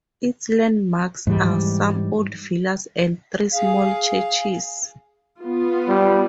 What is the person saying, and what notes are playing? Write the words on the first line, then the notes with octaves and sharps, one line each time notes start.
Its landmarks are some old villas and three small churches.
G#2 E3 G3
G#4 F5
B3 F4
G3